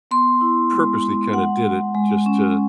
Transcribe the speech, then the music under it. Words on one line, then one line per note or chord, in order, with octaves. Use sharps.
purposely kinda did it just to
B3 C6
E4
G#3
G#3
G#3 F#5
G#3
G#3
C#4